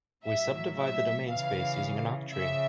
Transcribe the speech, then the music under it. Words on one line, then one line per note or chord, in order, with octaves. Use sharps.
We subdivide the domain space using an octree.
A2 F#3 E5
E5
C#3 E3 F5
C#3 F3 E5